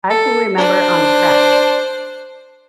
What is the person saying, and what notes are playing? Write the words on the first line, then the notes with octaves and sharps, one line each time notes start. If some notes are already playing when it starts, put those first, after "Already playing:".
I can remember on Trek.
A4
D4 C5 F#6